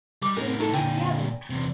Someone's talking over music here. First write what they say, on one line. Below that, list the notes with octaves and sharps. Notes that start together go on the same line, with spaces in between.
"And who is the other?"
G3 D#4 D6
A2 D#4 G#4 A#4 A#5
F4 A4
A#2 D3 G5 G#5 A#5
E2 C3